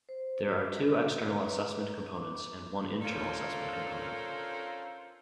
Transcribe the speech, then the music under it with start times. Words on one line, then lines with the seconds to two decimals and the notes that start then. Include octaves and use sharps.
There are two external assessment components and one internal assessment component.
0.09 C5
0.48 F#4
1.27 B4
2.14 D6
3.01 C#4 D4 F4 A4 A#4 C5